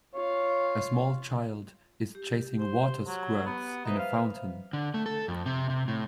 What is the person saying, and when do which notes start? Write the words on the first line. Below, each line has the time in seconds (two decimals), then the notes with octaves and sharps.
A small child is chasing water squirts in a fountain.
0.14 F4 C#5 F5
2.15 G4
2.59 C5
3.07 F#3
3.46 B3
3.85 D#4 B4 C5 E5
3.99 F5
4.73 D3
4.94 A3
5.06 A4
5.28 F2
5.46 C3
5.70 C3
5.88 A2